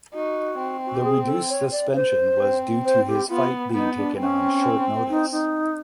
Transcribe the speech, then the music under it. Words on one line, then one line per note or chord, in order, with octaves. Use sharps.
The reduced suspension was due to his fight being taken on short notice.
D#4 F#4
C4
F#4
G4
G#4
A4
C#5
D5
C5
C4
C5
G4
B3 F4
B3 D#4
D4
C4 C#4
D#4
D#4